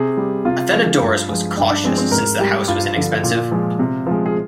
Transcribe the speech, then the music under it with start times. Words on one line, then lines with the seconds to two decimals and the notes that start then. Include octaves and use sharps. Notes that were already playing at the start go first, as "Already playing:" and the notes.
Athenodorus was cautious since the house was inexpensive.
Already playing: C3 G#4
0.17 G3
0.45 C3 F4
0.73 F3 G#3 F4
1.01 G2
1.29 F3 G#3
1.57 G2 D4
1.70 D4
1.84 F3 G#3 C4
1.98 C4
2.12 G#2 A#4
2.40 G3 G4
2.68 G2 F4
2.96 D3 F3
3.24 A#2 F4
3.51 F3 G#3
3.79 C3
4.07 F3 G#3
4.26 G#4